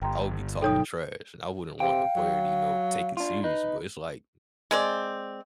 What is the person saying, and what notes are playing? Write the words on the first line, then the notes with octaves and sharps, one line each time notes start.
I would be talking trash, and I wouldn't want the player to, you know, take it seriously, but it's, like,
G1 G5 A#5 C6
B2 F#3 D#4 A4 C#5 G5 D#6
C3 F5 G5
F#3
D4 F4
D#4 B4
G#3 C4 D5